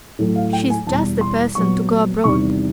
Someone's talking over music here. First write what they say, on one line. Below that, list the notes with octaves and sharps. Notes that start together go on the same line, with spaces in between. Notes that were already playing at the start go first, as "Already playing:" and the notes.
"She's just the person to go abroad."
A2 F#3 A3
F5
G5
G#5
E2 B2 G3 A5
C6
A#2 F#3 B3 C#6
E2 C3 D#3 G3 C#6